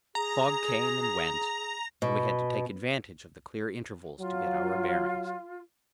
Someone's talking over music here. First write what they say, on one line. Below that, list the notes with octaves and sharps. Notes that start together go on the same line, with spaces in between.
The fog came and went, and we had to take advantage of the clear intervals to get our bearings.
G#4 A#5
B2
F#3 F4